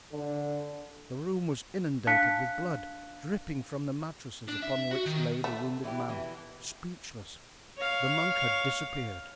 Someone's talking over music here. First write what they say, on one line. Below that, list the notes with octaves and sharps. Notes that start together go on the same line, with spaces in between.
The room was inundated with blood, dripping from the mattresses upon which lay the wounded man, speechless; the monk had disappeared.
D3
D4 F5 A5 F#6 B6 C#7
D4
E5
F#4
D#3
A3
E3 E4 G4
B2 E3 E4
C#5 F5